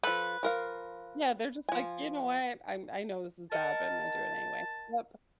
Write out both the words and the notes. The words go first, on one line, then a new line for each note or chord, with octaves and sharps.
Yeah. They're just like, "You know what? I'm I know this is bad, but Imma do it anyway." Yep.
F3 A4 B4
F3 A#4 F5
F3 G#5
A#4 D#5 F#5 A5